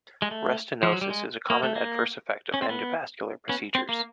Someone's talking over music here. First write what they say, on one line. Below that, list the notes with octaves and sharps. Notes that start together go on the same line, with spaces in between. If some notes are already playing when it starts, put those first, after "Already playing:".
Restenosis is a common adverse event of endovascular procedures.
G#3
A3
F3
F#3
G3
G#3
A#3
A3
A#3
C#4
C4
B3
B3 C#4
C4
A#3